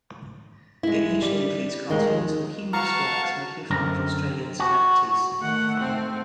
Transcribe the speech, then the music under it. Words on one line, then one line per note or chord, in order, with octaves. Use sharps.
It usually includes cartoons or humorous works making fun of Australian celebrities.
G#3 E4
G3
D#2 D#3 G#3
F#4 F5 A5 A#5 C#6 F6
F#2 D3 C4 A#4
F#4
D#3 A3 F#5
C4